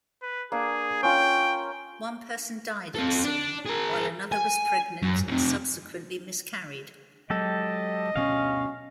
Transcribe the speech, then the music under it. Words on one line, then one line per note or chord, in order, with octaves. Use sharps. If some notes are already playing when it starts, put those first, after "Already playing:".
One person died at the scene, while another was pregnant and subsequently miscarried.
B4
A#3 D4 G#4
C#4 F4 G5
C4 A4
D4
G#4 A#4
G#5
F#2
F2 C3
F#3 G#3 G4 A4 D#5
D2 G2 B2 C#4 F5